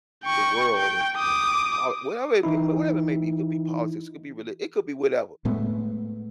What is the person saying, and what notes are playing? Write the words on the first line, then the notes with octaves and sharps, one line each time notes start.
the world and and pol whatever it be, whatever it may be, it could be politics, it could be reli it could be whatever.
G5 C#6
G5
D6 D#6
E3 D#4 E4
A2 G#3 A3 B3